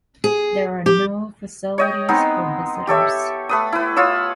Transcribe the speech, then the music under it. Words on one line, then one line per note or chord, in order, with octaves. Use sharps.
There are no facilities for visitors.
G#4
G4
C#5 D#5 G5
G#3 B3 C4 D#4
G4 A4 C#5 E5
A3 B4 D#6
E4 B4
F4 C#5 D#6 E6